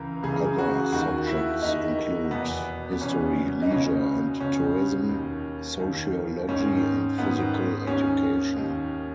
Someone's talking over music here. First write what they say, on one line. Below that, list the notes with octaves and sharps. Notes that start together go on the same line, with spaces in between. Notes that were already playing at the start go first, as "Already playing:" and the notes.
Other subjects include History, Leisure and Tourism, Sociology and Physical Education.
Already playing: C#2 C#3 E3 A#4
C#2 C#3 E3 G#4
F#4
D#2 D#3 F#4
E4
D#2 D#3 D#4
E2 B2 B3
B3
E2 B2 C#4
D#4
C#2 B2 C#4
C#2 B2 C#4
D#2 D#3
D#2 D#3
G#2 D#3 C#4
G#2 D#3 B3
D#2 D#3 C#4
D#2 D#3